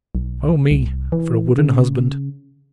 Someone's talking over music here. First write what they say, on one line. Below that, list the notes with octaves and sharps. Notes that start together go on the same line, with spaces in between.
"O me, for a wooden husband!"
B1
C2
E3
C#3